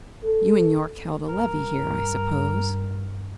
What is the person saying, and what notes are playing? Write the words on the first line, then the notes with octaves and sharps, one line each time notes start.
You and Yorke held a levee here, I suppose?
A4
G2 A#4